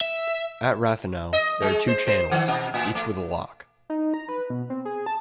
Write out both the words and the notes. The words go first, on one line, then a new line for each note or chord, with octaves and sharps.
At Rathenow there are two channels, each with a lock.
E5
D#5
G#3
C5
C5
D#3
B2
A2
A3
D#4
A#5
B4
B2
C4
G#4
A5